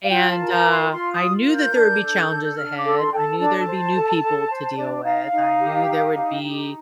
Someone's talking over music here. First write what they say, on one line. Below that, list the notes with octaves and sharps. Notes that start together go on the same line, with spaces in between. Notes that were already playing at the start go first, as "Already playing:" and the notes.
and, uh, I knew that there would be challenges ahead, I knew there'd be new people to deal with, I knew there would be,
F5
F4 G5
A5
A#4
A#5
F4
C6
F4 C6
D#6
F4
A#4
G6
D4
A4
D4
G6
D4 F6
D6
A4
C6
A4 G5
A5
D4 A5
C5
A4
A4
C5
D4
D#4 F5
D#4
G4
D#4
G4
D#4